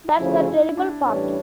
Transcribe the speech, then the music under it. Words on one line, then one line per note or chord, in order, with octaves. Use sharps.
That's the terrible part.
D2 C#3 F3 E4
E4
D4
A2 E3 G3 C#4 D4